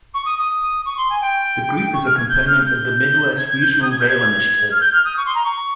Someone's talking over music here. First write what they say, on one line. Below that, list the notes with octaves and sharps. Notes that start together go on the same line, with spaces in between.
The group is a component of the Midwest Regional Rail Initiative.
C#6
D#6
D#6
C#6
C6
G#5
G5
C#6
F6
G#6
G6
F6
G6
G#6
G#6
G6
G6
D#6
G#6
G6
G#6
F6
G6
F6
D#6
C#6
C6
A#5
C#6